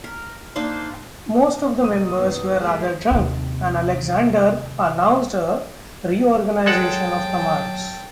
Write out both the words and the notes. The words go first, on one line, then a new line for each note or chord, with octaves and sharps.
Most of the members were rather drunk, and Alexander announced a reorganization of commands.
A#4
A#3 D4 D#4 C5
B1 A#3 D#6
F#2 D#3 G3 B3
G3 A3 F4 G#4 A#4
D#2 C3
F#3 G#3 A4 F#5 G5 A5